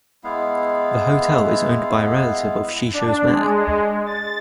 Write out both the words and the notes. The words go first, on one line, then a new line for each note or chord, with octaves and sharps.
The hotel is owned by a relative of Shishou's mayor.
G#3 B3 E4 F5
D4
G#3
A6